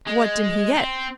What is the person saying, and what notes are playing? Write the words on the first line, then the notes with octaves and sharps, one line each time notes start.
"What did he get?"
G#3
C4